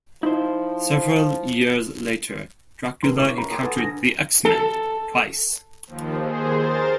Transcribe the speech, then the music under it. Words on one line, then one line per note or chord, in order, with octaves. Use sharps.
Several years later, Dracula encountered the X-Men twice.
F3 D#4 E4 C5
E1 D#2 B4 A#5 C6
C#4 E4 B4 C#6 D6
A#4 B5
C#5 G#5 A#5 C6 D6 D#6
A4 B4 F#5
D3 A#6
A4
D#2 F3
D#2 G#4 C5
A#4 C5 A6